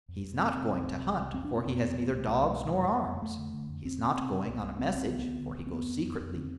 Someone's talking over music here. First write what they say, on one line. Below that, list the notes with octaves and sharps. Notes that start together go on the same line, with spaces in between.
He's not going to hunt, for he has neither dogs nor arms; he's not going on a message, for he goes secretly.
F2
F2
F2 C4
C3
C2
C3
C2
C2
F2 C4
D4
F2
C4
F2 B3
F2
B2
C2
C2 A3
B2 G#3
C3
F2
F2
F2
F2 A3
D3
D3
F2
F2 C4
C3
C3
C3
C2
C2
C2 C4
C2 C4
D2 B3
D3
D2
D3
C4
F2 B3
F2
F2
F2
D3 C4